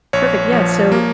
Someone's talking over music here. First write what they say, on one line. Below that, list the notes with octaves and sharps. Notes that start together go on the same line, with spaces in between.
Perfect, yeah, so,
A#1 C#5
F3
A#3